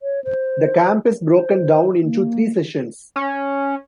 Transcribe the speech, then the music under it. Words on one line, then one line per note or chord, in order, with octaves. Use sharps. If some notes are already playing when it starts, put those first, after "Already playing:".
The camp is broken down into three sessions.
C#5
C5
C5
A#3
C#4